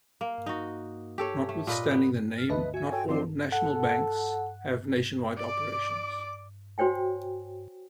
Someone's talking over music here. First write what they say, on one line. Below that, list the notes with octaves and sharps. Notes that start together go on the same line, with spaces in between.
Notwithstanding the name, not all "national banks" have nationwide operations.
A#3
D#4 F#4
G4 A4 C#5
A3
A#2 B4 D#5
B3
F6 A6
D2 B4 D#5 E5 A5
F#4 E5 G#5
A4 C#5 G5
D#3 F3 C4 D5 C6
A4 F#5
D5 D6
F#4 C5 C#5 G5 G#5